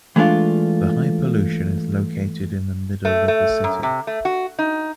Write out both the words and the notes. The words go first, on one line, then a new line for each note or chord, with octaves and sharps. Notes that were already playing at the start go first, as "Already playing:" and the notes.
The high pollution is located in the middle of the city.
E3 G#3 A3 D4 F4
A3
A3
F#2
C3
A3
F#4
D#4